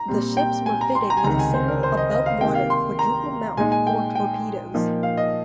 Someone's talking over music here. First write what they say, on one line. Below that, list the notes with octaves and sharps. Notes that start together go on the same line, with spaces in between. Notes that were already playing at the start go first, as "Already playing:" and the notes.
The ships were fitted with a single above-water quadruple mount for torpedoes.
Already playing: A#5
A#2 G3 C4
G5
G#5
A#5
C6
A#5
G#5
C#2 C3 D#3 A#5
G#5
C5
A#4
C5
D#5
D#5
F5
C3 D#3 A#3 G5
F5
C6
A#5
A#2 G#3 D#4 G#5
G#5
G5
G5
A#2 F3 A#3 D#4
F5
D#5